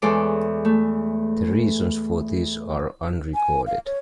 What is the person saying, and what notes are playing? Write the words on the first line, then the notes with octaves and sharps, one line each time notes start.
The reasons for this are unrecorded.
E2 G#3 A4 C#5 D5 D6
A3
G#5
F5
C#5